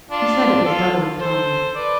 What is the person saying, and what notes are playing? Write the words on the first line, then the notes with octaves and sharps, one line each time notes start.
He said it was doubly kind.
D4 F4
F4 A4
A4 C5
B4 D5